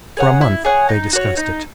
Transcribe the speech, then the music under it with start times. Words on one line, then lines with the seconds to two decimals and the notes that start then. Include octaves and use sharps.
For a month they discussed it.
0.17 G#4 C#5 F#5
0.41 E4
0.65 G#4 C#5 F#5
0.89 D#4
1.13 F#4 C#5
1.37 D#4